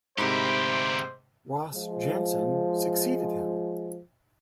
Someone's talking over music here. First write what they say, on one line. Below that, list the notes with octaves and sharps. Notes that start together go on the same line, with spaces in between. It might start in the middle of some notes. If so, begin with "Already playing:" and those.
Ross Jansen succeeded him.
D2 G#2 C3 D#4 E4 G4 A#4 C5
F3 G#3